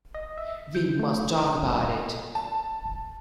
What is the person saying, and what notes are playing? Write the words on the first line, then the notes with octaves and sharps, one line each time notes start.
We must talk about it!
D#5
E5
G6
A3
D3
G2
D#5
A5